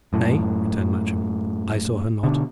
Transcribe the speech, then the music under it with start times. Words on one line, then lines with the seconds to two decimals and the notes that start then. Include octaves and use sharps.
"Nay," returned Matcham, "I saw her not."
0.13 F#2 A2
2.23 B2 D3